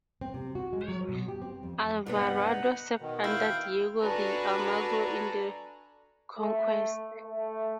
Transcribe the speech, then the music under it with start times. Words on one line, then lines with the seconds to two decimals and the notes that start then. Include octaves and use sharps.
Alvarado served under Diego de Almagro in the conquest.
0.21 C4
0.34 C3
0.55 F#4
0.73 G#3
0.88 F#3
1.09 B2
1.28 G4
1.42 C4
1.63 F2
2.06 G2 C3 B3 D#4 B4 F#5
3.01 B2 D#3
3.24 E4 F5 G5
3.99 D4 F#4 A4 B4 G#5 A#5
6.38 A3
7.13 A3